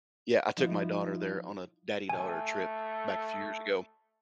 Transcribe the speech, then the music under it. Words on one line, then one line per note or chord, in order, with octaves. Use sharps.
Yeah, I took my daughter there on a daddy-daughter trip back a few years ago.
F3 D#4 E4 F#4
A3 G#5